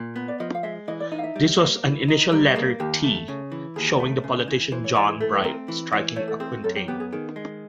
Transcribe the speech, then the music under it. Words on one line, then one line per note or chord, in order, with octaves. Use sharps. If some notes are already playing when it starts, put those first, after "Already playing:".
This was an initial letter 'T' showing the politician John Bright striking a quintain.
Already playing: A#2
B3
D5
F3 D#5
F5
G#3 E5
E3 D#5
D5
D#4 D#5
F5
E5
G3
A#3
E3
D#4
G3 A#4
A#3 G#4
D#2 G4
A3
C#3
E3
D#2 G#4
A3
C#3
E3
E3 C5
C#5
E3 D5
G#4
A3 A4
B4
C4 A#4
E3
E3 C#5
A3 C#5
A4
C4 G#4
F#4
F#2 A4
G4
B3 G4
G#4
D#3 G#4
G#3